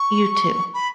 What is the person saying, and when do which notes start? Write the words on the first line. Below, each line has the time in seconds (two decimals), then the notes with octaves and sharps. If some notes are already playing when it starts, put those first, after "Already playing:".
You too.
Already playing: C#6
0.73 B5